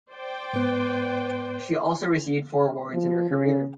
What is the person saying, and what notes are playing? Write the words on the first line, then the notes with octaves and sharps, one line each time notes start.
She also received four awards in her career.
C5 D5 G5
G#2 B3 B4
F3
C#3